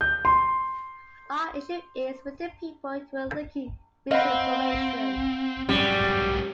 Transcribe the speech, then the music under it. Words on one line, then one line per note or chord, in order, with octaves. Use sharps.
Our issue is with the people who were leaking misinformation.
G6
C6
C4 D#5 F5 F#5 B5
G#2 F#3 G3 C#4